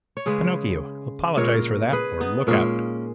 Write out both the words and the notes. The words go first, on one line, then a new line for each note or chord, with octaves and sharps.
"Pinocchio, apologize for that, or look out!"
C#5
C#3 G#3 G#4 B4
A#2 G#3 A#4 C#5
G#4 B4
B3 D#4
A#2 G#3 A#3 C#4